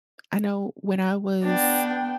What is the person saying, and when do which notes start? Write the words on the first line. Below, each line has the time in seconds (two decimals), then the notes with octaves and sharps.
I know when I was
1.43 B3 D4 G5